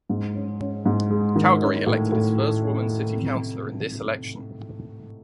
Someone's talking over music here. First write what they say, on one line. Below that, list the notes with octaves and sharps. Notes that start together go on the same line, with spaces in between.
Calgary elected its first woman city councillor in this election.
G#2
C#4
C#4
G#2
G#3
D#3
C#4
A2
A2
A3
C#4
A3
C3